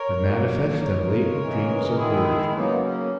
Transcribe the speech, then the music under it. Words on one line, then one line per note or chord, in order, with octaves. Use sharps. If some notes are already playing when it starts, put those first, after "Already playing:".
The manifest and latent dreams are merged.
Already playing: A#4 C#5
A#2 F#3 A#3
C#3 G#3 A#4 C#5
C#3 E3 G#3
A#4
D#3 G#3 E4 G#4
E4
C#3 F#3 A#3 B3 D#4
D#4
A#3 C#4